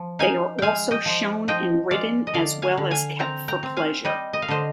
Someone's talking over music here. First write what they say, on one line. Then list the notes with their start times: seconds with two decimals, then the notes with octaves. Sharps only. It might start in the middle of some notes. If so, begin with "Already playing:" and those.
They are also shown and ridden, as well as kept for pleasure.
Already playing: F3
0.19 D#4 F5 G#5
0.59 G#3 F5 G5 G#5
0.91 D#5 G5
1.06 F3
1.48 F3 D#5 G5
1.91 G#3 D5 F5
2.27 D#5
2.34 D3 D5 F5
2.62 F5 G#5
2.77 D3
2.91 F5 G#5
3.19 C4 G5 A#5
3.48 G5 A#5
3.63 C4
3.77 F5 G#5
4.05 G3 D#5 G5
4.33 D#5
4.42 F5
4.48 D3 C5 D#5